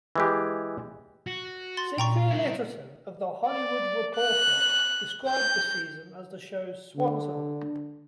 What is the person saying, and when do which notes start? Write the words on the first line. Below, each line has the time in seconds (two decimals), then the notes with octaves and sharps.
Cynthia Littleton of "The Hollywood Reporter" described the season as the show's "swan song".
0.16 E3 G#3 G4
1.27 F#4
1.77 C6 A6
1.98 A#2 G5 A#5 C#6
2.31 E4 A#4
3.46 D5
4.15 F#6
5.29 G6
6.96 D3